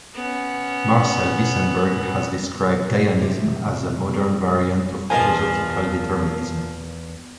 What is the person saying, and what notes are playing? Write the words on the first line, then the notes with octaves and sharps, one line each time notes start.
Marcel Wissenburg has described Gaianism as a "modern variant of philosophical determinism".
B3 C#4
C3
E2 F3 A#4 D#5 G#5